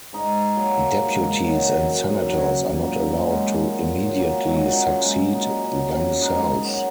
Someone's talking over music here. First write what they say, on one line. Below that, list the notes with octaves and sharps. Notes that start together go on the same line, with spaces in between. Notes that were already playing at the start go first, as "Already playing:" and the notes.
Deputies and senators are not allowed to immediately succeed themselves.
G#2 D#4
F#3 A#3
G#2
D#3 F#3
F#2
F#3
A#2 A#3
F#3 G#3
A#2
F#3
A#3
G#3
A#2 F#3
F#4
D#4
C#4
A#3
F#3 G#3
A#2 D#4
C#4
F#3
G#2 D#4
F#3 F#4